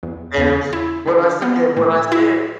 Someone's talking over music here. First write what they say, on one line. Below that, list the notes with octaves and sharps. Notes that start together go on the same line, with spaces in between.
And it was when I sa and when I said
E2
E2
E4
D3
B3
A2
E4